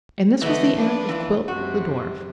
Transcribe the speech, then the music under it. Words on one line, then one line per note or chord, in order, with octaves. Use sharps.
And this was the end of Quilp, the dwarf.
D3 E3 A3 B3 D#5
F3 D4 B4
E3 F4
F#2 C3 F#4